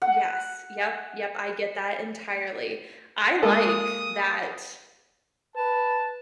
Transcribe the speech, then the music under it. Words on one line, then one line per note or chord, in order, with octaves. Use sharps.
Yes, yup, yup, I get that entirely. I like that
F#5
G#3 A#3 A4 D#6
B4 A5